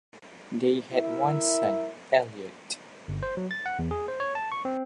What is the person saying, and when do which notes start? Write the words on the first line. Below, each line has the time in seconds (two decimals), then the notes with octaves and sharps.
They had one son, Elliot.
0.92 E4 A#4 E5
3.08 G1
3.23 C5
3.37 F#3
3.51 A6
3.66 F#5
3.79 E2
3.91 G#4
4.08 C5
4.20 C#5
4.35 A5
4.52 C#6
4.65 C4